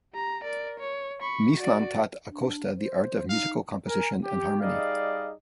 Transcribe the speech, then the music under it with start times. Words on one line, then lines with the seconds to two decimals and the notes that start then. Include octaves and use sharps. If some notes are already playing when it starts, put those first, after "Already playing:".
Mislan taught Acosta the art of musical composition and harmony.
0.14 G4 A#5
0.44 A#4 D5
0.80 C#5
1.22 B5 C#6
1.57 F#4 D5
2.30 D4
2.77 C5
3.29 D#4 F5
3.87 A#4 G#5
4.24 G4
4.61 G3 D#4 G#4 D5 D#5 F5